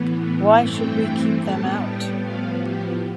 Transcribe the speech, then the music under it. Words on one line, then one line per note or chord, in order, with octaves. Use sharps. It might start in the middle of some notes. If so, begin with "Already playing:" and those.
Why should we keep them out?
Already playing: A2 E3 B3
G2 E3 A3 C4 G5
A2 G3 B3 A5
G5
A2 F3 B3 F5
G4